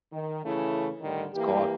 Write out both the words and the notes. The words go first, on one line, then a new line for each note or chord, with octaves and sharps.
It's called,
D#3
C#3 E3 A3 E4
A2 D3 D#3 G3
E3 A#3 G4